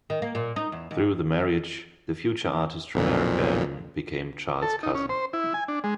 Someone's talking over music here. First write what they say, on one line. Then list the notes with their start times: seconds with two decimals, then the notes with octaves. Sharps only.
Through the marriage, the future artist Romare Bearden became Charles' cousin.
0.10 D#3
0.22 A#3
0.35 A#2
0.56 D#4
0.72 E2
0.91 D#2
2.94 B1 F2 A#2
4.62 A4
4.83 D#4
4.95 C#4
5.09 C5
5.33 E4
5.54 G#5
5.68 D4
5.84 G#3